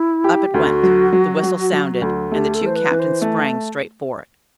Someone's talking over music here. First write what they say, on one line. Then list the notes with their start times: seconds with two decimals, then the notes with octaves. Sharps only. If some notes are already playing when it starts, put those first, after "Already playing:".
Up it went, the whistle sounded and the two captains sprang straight for it.
Already playing: E4
0.24 G4
0.53 D2 F#4
0.83 F#3
1.13 F#3
1.43 F#3
1.72 F#3
2.01 D2
2.31 A3 G4
2.54 A4
2.61 E3
2.66 C5
2.76 B4
2.91 E3
2.99 C5
3.22 A3